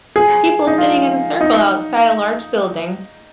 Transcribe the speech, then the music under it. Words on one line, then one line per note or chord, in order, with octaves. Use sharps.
People sitting in a circle outside a large building.
G#4
D#4
F4
D#4